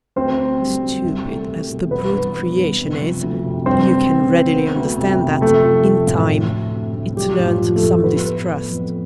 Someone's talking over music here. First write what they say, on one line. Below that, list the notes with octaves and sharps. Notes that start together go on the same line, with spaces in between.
Stupid as the brute creation is, you can readily understand that, in time, it learnt some distrust.
D2 C4 C5
D2
G3
D2
C2
A3
C2
B2
E3 B3 B4
G2
B3
G2
C3
F3
D2
C3
G2 C4 C5
G2
B3
B3
B3
D2
C3
C3
F3 A3 A4
F3
A3
A2
D2
D2
C3
D2
F3 G3 G4
A2
F3 F4
F3
A3 A4
A2
B3 B4
B3
B3
F2